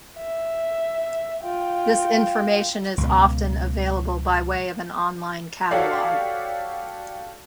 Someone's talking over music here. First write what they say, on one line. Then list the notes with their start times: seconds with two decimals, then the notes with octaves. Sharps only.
This information is often available by way of an online catalog.
0.18 E5
1.44 F4 G5
2.98 C#2 B2
5.71 F#4 G4 A4 C#5 D5 F5